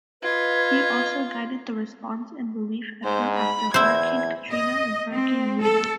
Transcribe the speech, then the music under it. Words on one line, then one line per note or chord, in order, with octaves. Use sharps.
He also guided the response and relief effort after Hurricane Katrina and Hurricane Rita.
F4 B4 D#5 G#6
G#2 C5
B5
E2 E4 C5 G#6
D#5
C4
A4